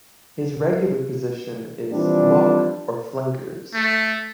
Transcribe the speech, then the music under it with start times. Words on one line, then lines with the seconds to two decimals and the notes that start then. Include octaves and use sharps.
His regular position is lock or flankers.
1.92 E3 F3 G3 C4 D4
3.74 A3